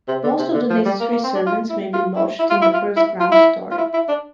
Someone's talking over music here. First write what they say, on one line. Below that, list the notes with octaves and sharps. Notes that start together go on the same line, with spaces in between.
Most of the necessary servants may be lodged in the first ground story.
C3
D3
C3
D3
F3
G3
A#3
A#3
C4
D4
F4
E4
F4
E4
E4
F4
E4
F4
E4
F4
E4
F4
E4
E4
D4